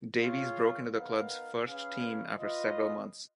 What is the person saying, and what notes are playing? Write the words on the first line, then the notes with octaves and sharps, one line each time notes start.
Davies broke into the club's first team after several months.
F4 G#4 C#5 F5
B3 D#4 A#4 F5
C#4 G#4 B4 F5
F4 B4 D#5